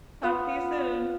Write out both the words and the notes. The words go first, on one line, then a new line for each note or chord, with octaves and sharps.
Talk to you soon.
B3 F4 F#5